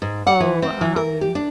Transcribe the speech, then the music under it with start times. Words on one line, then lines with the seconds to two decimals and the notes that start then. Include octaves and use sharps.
"Oh, um"
0.02 G#2
0.27 F#5
0.40 E3
0.62 C4
0.81 E3
0.96 A#4
1.21 G4
1.35 D4